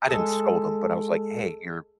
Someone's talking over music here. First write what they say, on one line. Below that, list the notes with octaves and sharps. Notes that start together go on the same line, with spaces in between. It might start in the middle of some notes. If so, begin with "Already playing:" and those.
I didn't scold him, but I was like, "Hey, you're
G#3 G#4 A4